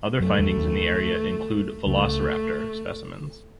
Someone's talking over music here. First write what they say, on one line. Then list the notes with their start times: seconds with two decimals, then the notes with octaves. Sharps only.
Other findings in the area include “Velociraptor” specimens.
0.20 F#2 F#3 A3
0.38 E2 E3
0.57 D#2 D#3
1.86 C#2 C#3 A3